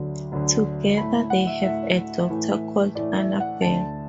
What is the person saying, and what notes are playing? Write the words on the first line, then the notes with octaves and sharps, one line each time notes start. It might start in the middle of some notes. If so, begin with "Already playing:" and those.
Together they have a daughter called Annabelle.
Already playing: D2 D3 F#3
D2 D3 F#3
A2 A3 B5
F#5
E5
A2 A3 E5
A2 E3 A3
A2 E3 A3 D5
E5
F#5
D2 D3 A3 A5